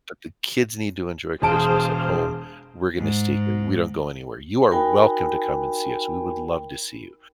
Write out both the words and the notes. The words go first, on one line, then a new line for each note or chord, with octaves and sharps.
but the kids need to enjoy Christmas at home. We're gonna stay here, we don't go anywhere, you are welcome to come and see us, we would love to see you,
E1 G#4 C5 F5 A5 D7
G#2
D#4 F#4 A#4 G5 G#5 B5